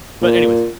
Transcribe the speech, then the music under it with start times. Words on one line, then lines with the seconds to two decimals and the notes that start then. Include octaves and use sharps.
but anyways,
0.21 A#2